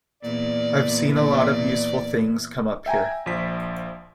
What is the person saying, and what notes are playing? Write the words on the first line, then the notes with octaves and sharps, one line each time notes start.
I've seen a lot of useful things come up here.
E2 A#2 D5
D5
E5 G5 G#5 A#5
A#1 F3 B6